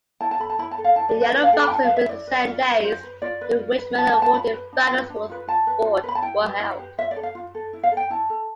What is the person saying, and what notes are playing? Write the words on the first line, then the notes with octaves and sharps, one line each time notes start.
The yellow boxes represent days during which medal-awarding finals for a sport were held.
E4 A5
A5
A4 B5
A5
E4 B5
A5
A4
F5
E4 A5
D5
A4
B4
E4 B4
F5
A4 G5
B5
G5
E4 A5
F5
B4
E5
E4 D5
B4
F4
B4
F4 C5
B4
F4 D5
B4
F4
B4
F4 A5
A5
B4
A5
F4 B5
B4
D4
F4 B4
D4
F4 B4
F4 A5
B4
F4
B4
B5
A5
E4 G5
G4 B4
E4
G4 B4
F4 E5
D5
A4
F5
F4
A4
E4
F5
A4
G5
E4 A5
A4